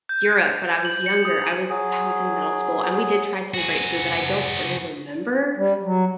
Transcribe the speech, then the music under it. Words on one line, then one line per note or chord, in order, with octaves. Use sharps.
Europe, but I was younger. I was I was in middle school, and we did try some great food, but I don't really remember,
G6
F#7
C#7
D#6
F#3 G#4
F#4 G#4
G3
F#3